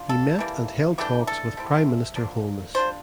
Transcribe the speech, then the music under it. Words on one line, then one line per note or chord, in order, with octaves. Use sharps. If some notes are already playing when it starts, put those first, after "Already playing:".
He met and held talks with Prime Minister Holness.
Already playing: D4 F4
A4
E3 G3 A#3
E3 A3 D4 G4
A4
G3 C4 E4
F3 A#3 D4
G3 D4 F4 C5